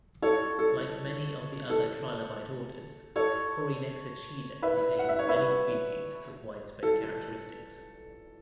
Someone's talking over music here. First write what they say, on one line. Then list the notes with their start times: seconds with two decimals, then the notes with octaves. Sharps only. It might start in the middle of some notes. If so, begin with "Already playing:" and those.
Like many of the other trilobite orders, Corynexochida contains many species with widespread characteristics.
0.22 A4 C#5
0.59 A4
1.70 A4
3.16 A4 C#5
4.62 B4 E5
4.99 F#5
5.09 E5
5.19 C#5
5.29 B4 E5
6.83 A4